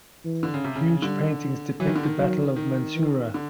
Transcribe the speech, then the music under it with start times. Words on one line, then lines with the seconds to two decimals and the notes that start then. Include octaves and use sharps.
Huge paintings depict the Battle of Mansoura.
0.25 E3
0.43 D3
0.54 C#3
0.64 C3
0.75 C#3
1.02 D3 G3
1.80 E3 F#3
1.87 D#3
1.96 D3
2.03 D#3
2.18 F#3
2.56 D#3
2.96 E3
3.34 D3